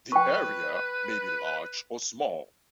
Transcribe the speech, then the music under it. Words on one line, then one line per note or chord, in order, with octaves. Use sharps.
The area may be large or small.
B4 G5 C#6